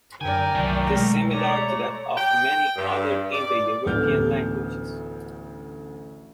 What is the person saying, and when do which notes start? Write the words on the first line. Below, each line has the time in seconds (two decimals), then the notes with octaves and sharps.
It is similar to that of many other Indo-European languages.
0.21 F#2 D3 A#4 D5 G5 G#5
0.55 C2 D#3 F#3 A3 G#5
0.94 B2 G#3 E6
1.31 A3 C#5 D5 A#5
2.16 G5
2.76 G2
3.33 D5
3.86 A1 D2 B3 A4 F6 G6